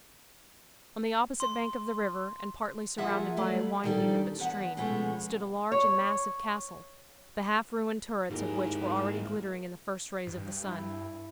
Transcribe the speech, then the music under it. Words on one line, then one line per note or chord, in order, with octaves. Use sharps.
On the opposite bank of the river, and partly surrounded by a winding of its stream, stood a large and massive castle, the half- ruined turrets of which were already glittering in the first rays of the sun.
C6
F3 A#3 F4 G#4 E5 F#5
F#3 G3 A3 B4 D5
D#3 E3 G3 D4 A4 D5
E2 B4 F#5 A5
B2 F3 G#3 A3 B3 C#4
C#5
D#2 G#2 E4 G#4 A#4
G2
E4